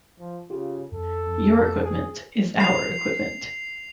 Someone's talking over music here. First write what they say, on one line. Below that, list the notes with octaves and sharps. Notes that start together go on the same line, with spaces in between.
Your equipment is our equipment.
F3
C#3 F4 G4
F2 A4
F2
G#4
C7 F7